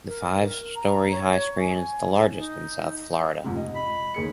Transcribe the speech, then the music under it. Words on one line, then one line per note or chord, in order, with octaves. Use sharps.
The five-story-high screen is the largest in South Florida.
A#4
A#5
C#5
G#5
D#4
F2 G#2 C3
D#5
B5
D#2 G#4 C#7